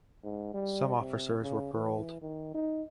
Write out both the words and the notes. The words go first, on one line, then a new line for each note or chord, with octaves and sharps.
Some officers were paroled.
G#2
G3
C3
C#3
E3
D#3
D#4